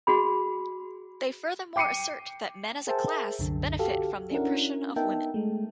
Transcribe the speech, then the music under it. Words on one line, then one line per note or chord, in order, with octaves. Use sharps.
They furthermore assert that men as a class, benefit from the oppression of women.
F#4 G#4 B5
G5 D6 C7 C#7 D#7
G#4 A#4 C5 E5 G5 A5
C2 F#2 D3
F#4 G4 A4 F5
C#4 D4 E4 F#4 A#4 F#5
B3 D#4 A#4 E5 G5 A5
G#3 A3